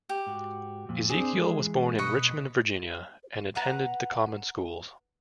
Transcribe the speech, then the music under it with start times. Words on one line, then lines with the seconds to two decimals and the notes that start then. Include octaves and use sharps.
Ezekiel was born in Richmond, Virginia, and attended the common schools.
0.09 G4
0.27 G#2 F#4
0.89 F2 A#2
1.10 C4 D4 G#4 C5
1.33 E3 G#3
1.98 B2 B4 D#5 C#6
3.55 B4 F#5 A#5 F#6